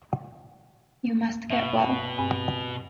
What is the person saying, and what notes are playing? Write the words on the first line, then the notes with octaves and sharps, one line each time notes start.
You must get well.
B2 E5
G2 C4 G#5